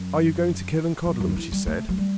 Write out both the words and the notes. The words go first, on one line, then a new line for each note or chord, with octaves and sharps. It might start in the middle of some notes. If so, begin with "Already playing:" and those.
"Are you going to Killancodlem?" she said.
Already playing: F#2
F#2
F#2
E3
G3
A3
F#3
G3